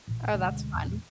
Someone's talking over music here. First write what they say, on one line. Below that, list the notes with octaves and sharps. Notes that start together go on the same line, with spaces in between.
Oh, that's fun.
A1 A#2
D2 B2 G#3 D4
E2 A#2